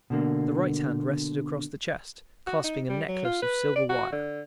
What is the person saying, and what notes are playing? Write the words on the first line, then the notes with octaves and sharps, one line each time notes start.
The right hand rested across the chest, clasping a necklace of silver wire.
B2 D3 A#3
F#4
D#4
G3
F#3
F4
B4
D5
F#4
D3